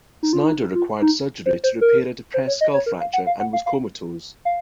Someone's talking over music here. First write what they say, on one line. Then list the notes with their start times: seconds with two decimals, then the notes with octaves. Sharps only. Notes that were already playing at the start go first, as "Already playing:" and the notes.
Snyder required surgery to repair a depressed skull fracture and was comatose.
0.23 D#4
0.33 F4
0.44 D#4
0.75 F4
1.02 D#4
1.46 C5
1.64 C5
1.81 A#4
2.34 C5
2.47 C#5
2.61 D#5
2.74 C#5
2.86 A#4
3.00 F5
3.13 F#5
3.27 F5
3.40 F#5
3.53 F5
3.66 F5
4.45 F5